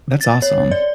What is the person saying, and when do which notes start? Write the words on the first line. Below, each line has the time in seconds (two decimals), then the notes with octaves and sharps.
That's awesome.
0.21 A6
0.42 C#5
0.71 D5